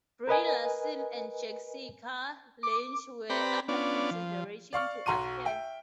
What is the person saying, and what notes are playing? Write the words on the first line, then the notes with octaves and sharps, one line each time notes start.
Brie Larson and Jessica Lange were under consideration to appear.
A#4 B4 D#5 G#5
D6
C4 G4 B4 D5 A#5 B5
B3 C#4 D4 F4 D5
F3
D5 F5 C#6 F6
B1 F#4 A#5 C6 C#6 D#7
E5 G5